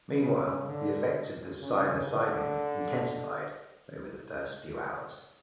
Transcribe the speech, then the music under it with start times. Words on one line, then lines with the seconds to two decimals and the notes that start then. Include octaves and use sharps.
Meanwhile, the effects of the psilocybin intensified over the first few hours.
0.20 C#3
0.67 D3
1.61 C#3
2.07 D3